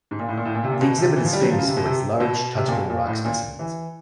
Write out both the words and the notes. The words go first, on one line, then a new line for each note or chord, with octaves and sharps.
The exhibit is famous for its large, touchable rock specimens.
G#2
A#2
A2
A#2
A2
A#2
C3
A#2
B2
C3
E3
F3
G3
F#3
F3
C#3
C3
B2
C3
B2
C3
A#2
B2
A#2
A2
A#2
E3